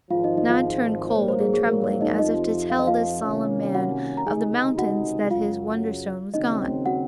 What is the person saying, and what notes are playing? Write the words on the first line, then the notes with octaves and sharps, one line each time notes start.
Nod turned cold, and trembling, as if to tell this solemn Man of the Mountains that his Wonderstone was gone.
G#1 G#2 F3 F4 F5
D#4 D#5
D#4 D#5
F4 F5
C5
A#1 G#2 F#3 A#3 C#5
C5
G#4
G#4
A#4
C#5
D#4 D#5
F2 C3 F3 D#4 D#5
F5
D#5
F4 F5
C2 C3 D#3 A#3 C#4
F#4 F#5
A#5
C#2 C3 D#3 G#3 D#4 G#4 G#5
F#4 F#5
F#2 C#3 F#3 F4 F5
D#2 C#3 F#3 C4 D#4 D#5
F#4 F#5